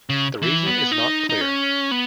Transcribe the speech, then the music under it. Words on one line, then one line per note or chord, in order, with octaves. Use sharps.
The reason is not clear.
C#3
E3
B3
D#4
D#4
C#4
B3